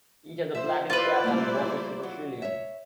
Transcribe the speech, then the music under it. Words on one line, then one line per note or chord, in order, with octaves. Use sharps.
It has a blackish cap and a buffy supercilium.
F3 C5 E5
E4 F4 B4 C5 D5 F5
G3 A3 A#3
F#3
C#5 E5